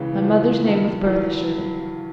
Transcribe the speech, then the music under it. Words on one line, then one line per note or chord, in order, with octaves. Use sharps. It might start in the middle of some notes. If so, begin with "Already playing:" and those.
My mother's name was Bertha Shirley.
Already playing: C#2 C#3 E3
E3
F3
G2 D#3
E3 F#3